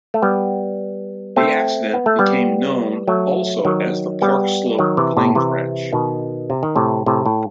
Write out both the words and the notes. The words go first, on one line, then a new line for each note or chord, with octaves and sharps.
The accident became known also as the Park Slope plane crash.
A3
G3 B3
A3 C4
B3
A3
G3 B3
F#3 A3
D#3 F#3
G3 B3
D#3 F#3
C3 E3
A2 C3
C3 E3
B2 D#3
C3
D#3
A2 C3
A2 C3
A2